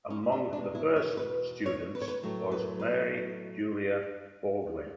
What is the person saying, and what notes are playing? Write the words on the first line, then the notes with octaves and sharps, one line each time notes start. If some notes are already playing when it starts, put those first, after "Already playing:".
Among the first students was Mary Julia Baldwin.
C#4
D4
E2 B2 G#3 D4
E4
C#5
B4
C#5
B4
C#5
B4
A2 F#3 A3
B4
B4